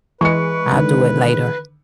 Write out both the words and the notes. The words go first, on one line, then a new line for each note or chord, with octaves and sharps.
I'll do it later."
E3 G#3 B4 C#6 C#7
D3 D#3